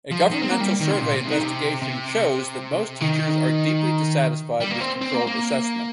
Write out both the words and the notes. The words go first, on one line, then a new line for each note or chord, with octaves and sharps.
A governmental survey investigation shows that most teachers are deeply dissatisfied with controlled assessment.
F3
D#3
C4
A#3
G3
D#3
C3
A#2
C3
D#3
C3
C3
D#3
G3
A#3
C4
C4
A#3
A#3